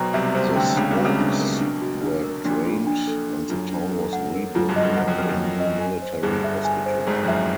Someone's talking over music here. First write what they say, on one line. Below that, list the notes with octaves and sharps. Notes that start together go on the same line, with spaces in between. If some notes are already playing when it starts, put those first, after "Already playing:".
The swamps were drained and the town was rebuilt around a new military hospital.
Already playing: B1 B2 C5 G5 A#5
C2 C3 E5
C2 C3 C5
D2 D3 G5
C#2 C#3 D4
C2 C3
F#4
C#2 C#3
B1 B2 D4
A#4
D4
F#4
D4
A#4
A#1 A#2 D4
F4
D4
A4
D4
F#2 F4
D4
A4
F#5
A#4
F#2 F4
G1 G2
D#5
G1 G2
F#2 F#5
F2
F#2 A#4
F#2
F4
D#5
G#5
C5
G1 G2 G#4
E5
G#5
C5
G#1 G#2 G#4
F2
F#2 E5